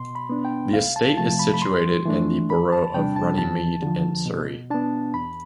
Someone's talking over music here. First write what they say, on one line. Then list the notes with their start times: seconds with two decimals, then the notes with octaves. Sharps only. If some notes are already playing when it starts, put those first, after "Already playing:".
The estate is situated in the Borough of Runnymede in Surrey.
Already playing: B2 C6
0.15 B5
0.29 B3 D4
0.45 G5
0.73 C2 F5
0.96 A5
1.18 C3 F3 A3 A5
1.39 B5
1.54 B5
1.62 G2 C6
2.05 E3 A3 D4
2.50 E2 B5
2.72 A5
2.94 C3 G3 D4 G5
3.16 A5
3.38 E2 A5
3.82 D3 F3
4.26 B2
4.71 B3 D4 A5
5.14 E2 B5